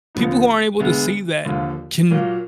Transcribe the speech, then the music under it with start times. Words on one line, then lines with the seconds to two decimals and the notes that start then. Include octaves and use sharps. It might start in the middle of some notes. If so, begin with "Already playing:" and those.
people who aren't able to see that can
0.15 D#2 D3 F3 B3 D#4
0.80 D2 D3 G#3 B3
1.45 D#2 D3 F3 A#3 F4
2.11 A#2 F#3 A#3